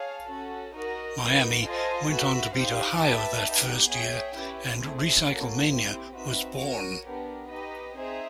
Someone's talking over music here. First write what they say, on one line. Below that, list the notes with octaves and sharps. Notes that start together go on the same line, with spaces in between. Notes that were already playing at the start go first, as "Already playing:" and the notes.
Miami went on to beat Ohio that first year and RecycleMania was born.
Already playing: G#4 C#5 F5 A5
C#4 F#4 A4
D#4 F#4 A#4 D#5
A#3 D#4 F#4 B4
F4 A4 C5 D#5 G#5
F#4 B4 E5
D#4 G4 C5 F5
G4 B4 E5 A5
B3 D#4 G4
G#4 C#5 E5 G5
C#4 E4 G4 B4
A3 C4 E4 G#4
A#3 C#4 F#4 A4
C4 E4 G4
C4 D#4 F#4 B4 E5
F#4 A#4 C#5
B3 D4 G4 A#4
D#4 G4 B4 D#5
C4 D#4 G#4 C5 E5